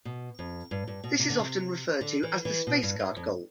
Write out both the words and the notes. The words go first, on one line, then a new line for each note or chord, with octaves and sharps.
This is often referred to as the Spaceguard Goal.
B2
F2
G2
G2
B2
C3
D3
C3
D3
E3
E3
B2
G2
G2
F2